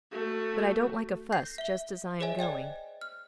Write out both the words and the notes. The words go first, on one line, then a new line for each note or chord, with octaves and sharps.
But I don't like a fuss just as I am going.
A3 F#4
G6 A#6 C7
E5 G7
G#4 C5 C#5 D#5 E5 G#5
C5 D5 D#5 G5
F6